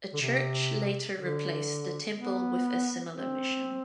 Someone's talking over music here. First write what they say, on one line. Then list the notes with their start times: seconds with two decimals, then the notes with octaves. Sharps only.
A church later replaced the temple with a similar mission.
0.14 D3
0.21 C3
1.18 D3
2.15 B3
3.12 C4